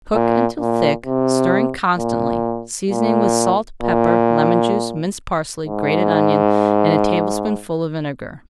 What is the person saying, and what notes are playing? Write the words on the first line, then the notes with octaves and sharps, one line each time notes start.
Cook until thick, stirring constantly, seasoning with salt, pepper, lemon-juice, minced parsley, grated onion, and a tablespoonful of vinegar.
A#2
A#2
C3
A#2
A#2
A#2
G#2